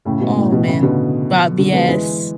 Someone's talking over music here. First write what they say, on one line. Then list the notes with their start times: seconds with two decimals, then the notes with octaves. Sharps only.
Oh man, Bob Yes.
0.05 A2 C#3
0.21 B2
0.37 A2
0.52 B2
0.66 A2 C#3
0.82 B2 D3
1.58 D3 F#3
1.73 G#3 B3
1.88 E3 G#3